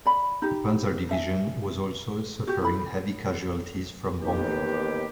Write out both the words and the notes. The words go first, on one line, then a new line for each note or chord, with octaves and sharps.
The panzer division was also suffering heavy casualties from bombing.
D5 B5
D#4 G4
D4 E5 G#5
F#4 G4
E4 B5
A1 D#2 D#3 B3 G4